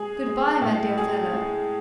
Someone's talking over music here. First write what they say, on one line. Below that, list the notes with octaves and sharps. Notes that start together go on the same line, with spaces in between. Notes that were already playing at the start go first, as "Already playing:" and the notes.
Good-bye, my dear fellow.
Already playing: G#3 G#4
G#3
A2
G#4
G#3